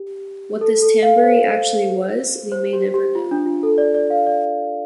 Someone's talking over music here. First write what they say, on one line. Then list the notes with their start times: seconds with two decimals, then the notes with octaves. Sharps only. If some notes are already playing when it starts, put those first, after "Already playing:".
What this tambouri actually was we may never know.
Already playing: G4
0.61 A4
0.83 A4
1.02 F5
1.24 C5
2.52 C5
2.73 G4
2.94 G4
3.15 F4
3.31 D4
3.46 F4
3.63 A4
3.78 D5
3.94 D5
4.10 F5
4.27 D5